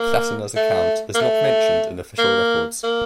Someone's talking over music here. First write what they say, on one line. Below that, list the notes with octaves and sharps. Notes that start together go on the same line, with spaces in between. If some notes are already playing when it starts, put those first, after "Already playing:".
Platina's account is not mentioned in official records.
Already playing: A#3
A3
A#3
A3
A#3
A#3